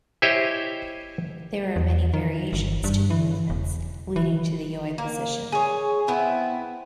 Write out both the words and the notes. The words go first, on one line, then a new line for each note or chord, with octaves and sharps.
There are many variations to the movements leading to the "yoi" position.
E4 G4 C5 C#5 D#5 E5
E2
D#3
G1
G2
E3
E1
E3
A#3
G#4 C#5
B3 C4 E4